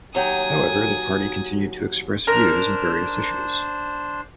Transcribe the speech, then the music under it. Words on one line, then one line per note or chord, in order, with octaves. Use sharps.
However the party continued to express views in various issues.
D#2 F#3 G5 G#5 D#6
D4 A#4 C5 A#5